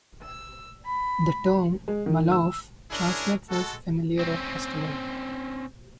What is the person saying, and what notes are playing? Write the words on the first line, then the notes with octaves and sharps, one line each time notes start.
The term "malouf" translates as "familiar" or "customary".
E6
B5
G#3
D#3
E6
C#4 D4 E4 G#4 A#4
G#3 F#4 A4
C4 C#4